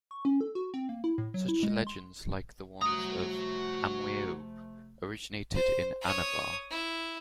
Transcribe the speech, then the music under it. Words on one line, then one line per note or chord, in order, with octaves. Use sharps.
Such legends like the ones of 'Amwieob' originated in Anabar.
C#6
C#4
A4
F#4
C4
A#3
E4
A2
F#3
E4
G#3
C6
C3 F3 A3 F#4 A#5 D#6
C5
C#5 D#6
E4